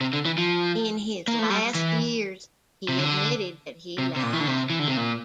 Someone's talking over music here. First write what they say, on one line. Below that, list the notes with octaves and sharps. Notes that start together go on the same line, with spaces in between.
In his last years, he admitted that he lied.
C3
D3
E3
F3
A#3
A3
G3
E3
C3
D3
C3
C3
A#2
E3
D3
C3
E3
D3
C3
A#2